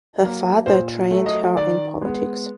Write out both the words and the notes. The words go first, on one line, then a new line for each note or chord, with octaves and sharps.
Her father trained her in politics.
F#3 A#3
A#2 C5
F#3 A3
D#5
D#3 D5
G#3 B3